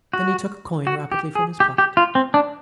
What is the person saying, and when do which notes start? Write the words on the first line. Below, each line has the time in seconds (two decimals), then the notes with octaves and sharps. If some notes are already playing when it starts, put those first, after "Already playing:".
Then he took a coin rapidly from his pocket.
0.13 F#4
0.87 F#4
1.12 G4
1.35 G#4
1.60 G4
1.78 G4
1.97 F4
2.15 C4
2.34 D4